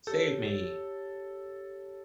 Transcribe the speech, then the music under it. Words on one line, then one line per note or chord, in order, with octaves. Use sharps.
Save me!
G4 A4 C#5